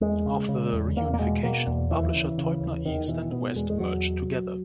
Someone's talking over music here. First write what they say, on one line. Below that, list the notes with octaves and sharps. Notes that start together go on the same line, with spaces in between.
After the reunification, publisher Teubner East and West merged together.
E2 G#3
C#3
C#3
E2
E2 A#3
A#3
B2 G#3
B2 A#3
E2
D#2 E3
C#3
C#3
D#2
E2 D#3
B2 E3
B2 B3
E2 G#3
G#3
E2 F#3